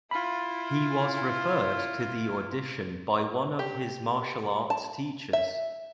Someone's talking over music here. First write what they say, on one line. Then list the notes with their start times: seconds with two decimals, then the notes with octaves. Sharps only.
He was referred to the audition by one of his martial arts teachers.
0.11 E4 F4 B5
3.59 G4
4.70 A5
5.33 E5